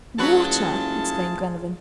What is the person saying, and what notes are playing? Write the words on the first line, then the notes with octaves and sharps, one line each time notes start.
"Water!" exclaimed Glenarvan.
F#1 F#3 A3 F4 F#4 G#4 B4 A5